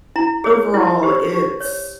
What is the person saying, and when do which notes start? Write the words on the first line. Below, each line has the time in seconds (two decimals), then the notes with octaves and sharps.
overall, it's
0.16 E4 A#5
0.44 G#4 C#5
0.74 E4
1.03 G4 C5
1.32 G4
1.61 C#5